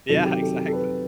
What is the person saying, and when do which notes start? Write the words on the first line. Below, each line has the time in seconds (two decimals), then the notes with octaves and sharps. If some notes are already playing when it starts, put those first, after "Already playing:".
Yeah, exactly.
0.09 C3 D#3 F#3 A4
0.25 G4
0.42 A4
0.68 A4
0.73 B4